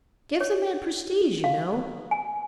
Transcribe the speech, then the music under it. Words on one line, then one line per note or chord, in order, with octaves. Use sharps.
'Gives a man prestige, you know.
C#5
F5
G#5